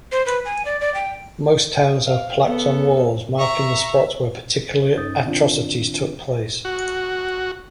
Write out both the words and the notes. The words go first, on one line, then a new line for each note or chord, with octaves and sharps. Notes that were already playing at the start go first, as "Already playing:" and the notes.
Most towns have plaques on walls marking the spots where particular atrocities took place.
C5
B4
G#5
D5
D5
G5
F5
B3 A4
E5 A#5 C#6
G2 C#4 D#4 D#6 G6 A6
B2 D#3 C4 D4 F4
F#4